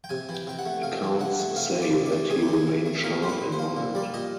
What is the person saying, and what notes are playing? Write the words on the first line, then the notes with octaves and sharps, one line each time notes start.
Accounts say that he remained sharp in mind.
G5
C3 G#5
E3
G5
C3 G5
F#5
A3
C3 F5
E3
C3 F#5
A3
C3 F5
E3
D5
C3
D5
A3
C3 G#4
G4
E3 G#4
C3
A3
A#2 A#4
G3 C5
B4
A#2
C5
A#3
A#2
G3 D5
A#2 D#5